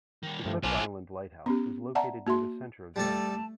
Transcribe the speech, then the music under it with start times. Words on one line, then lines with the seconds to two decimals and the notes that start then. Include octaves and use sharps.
Eclipse Island Lighthouse is located near the centre of the island.
0.23 D#3 G3
0.45 G2 F3 A3
0.64 B1 D4 F4 C5 C#5 G#5
1.46 B3 C#4 G4
1.95 D5 E5 F#5 A5 A#5
2.27 A#3 F#4 E5 C6
2.96 G3 A3 A4 A5